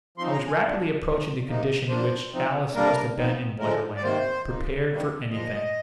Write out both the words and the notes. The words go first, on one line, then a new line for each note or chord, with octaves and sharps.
I was rapidly approaching the condition in which Alice must have been in Wonderland--prepared for anything.
F3 C4 D#4 C6
A#5
G#5
A#2 G3 D4
F3 G#3 D4
C3 F3 A#3 D#4
A#2 F3 A#3 D4 C5
C3 F3 C4 D#4
D3 G3 A#3 D4 A#4
F3 C4 D#4
D3 F3 G#3 A#4
D5
C3 D#3 A#3 C5
F3 A#3 D#4
C3 D#3 G3 A#3
A#2 F3 G#3 D#5